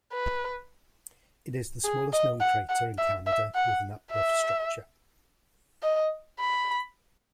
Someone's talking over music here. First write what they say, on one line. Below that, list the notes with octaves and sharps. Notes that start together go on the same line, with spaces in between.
It is the smallest known crater in Canada with an uplift structure.
B4
G#4
D#5
F#5
F#5
E5
E5
F#5
E5
D#5
B5